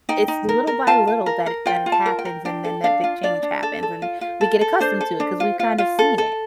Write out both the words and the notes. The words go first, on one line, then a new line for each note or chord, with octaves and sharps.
It's little by little that it that it happens, and then that big change happens, and we get accustomed to it ‘cause we've kind of seen it.
D#4 G5
D#4
A#4
A#4
F4 A5
F4
A#4
A#4
F4 G5
F4
A5
A#4
G5
A#4
D4 G5
A4
D4 F5
F4
D4 D5
D4
A4
A4
F4
F4
A4
A4
D4 C5
A4
D4
F4
F4
F4
A4
A4